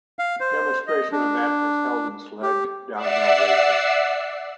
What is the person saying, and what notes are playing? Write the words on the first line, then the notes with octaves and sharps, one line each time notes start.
A demonstration event was held in sledge downhill racing.
F5
C5
D#5
D4
G4
D5 E5 F#5 E6 C7